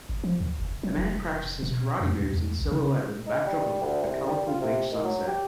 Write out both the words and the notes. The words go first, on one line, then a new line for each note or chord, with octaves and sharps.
A man practices karate moves in silhouette with a backdrop of a colorful beach sunset.
G#1
F3
D#2
F#1
F#3
F1
B2
F2
D#2
E2
A#1
C#3
D#4
G3
D2
C2
G3
F4
C3
D#3
F#3
G4